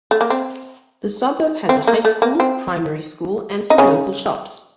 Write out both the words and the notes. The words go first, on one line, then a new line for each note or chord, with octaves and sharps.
The suburb has a high school, primary school and some local shops.
A3
A#3
C4
C4
A#3
A3
A#3
C4
D#4
C#3 C#4